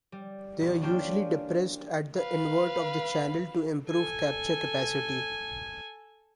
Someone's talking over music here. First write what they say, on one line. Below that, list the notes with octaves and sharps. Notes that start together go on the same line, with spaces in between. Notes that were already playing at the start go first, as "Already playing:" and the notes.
They are usually depressed at the invert of the channel to improve capture capacity.
G3
E1
G3 A#3 C#4 D4 F4 G5
B4 F5
A4 G#5